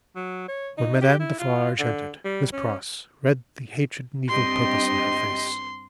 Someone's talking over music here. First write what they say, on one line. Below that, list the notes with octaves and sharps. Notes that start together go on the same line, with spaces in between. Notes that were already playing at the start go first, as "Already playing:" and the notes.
When Madame Defarge entered, Miss Pross read the hatred and evil purpose in her face.
F#3
C#5
D#4
G4
E4
F4
D3
G3
C#4
G2 C4 D4 G4 D#5 C6